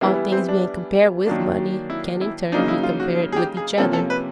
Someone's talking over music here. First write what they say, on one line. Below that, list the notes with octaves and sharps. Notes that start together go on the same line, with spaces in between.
All things being compared with money, can in turn be compared with each other.
E3 G3 A#3 B3 E4
C4
D4
D#3 F#3 A#3 D4
E4
E4
C#3 F#3 A#3 D4 D#4
E4
F4
F#4
G#4
G4
G#4
C3 F3 A#3 C#4 A4
A4
B4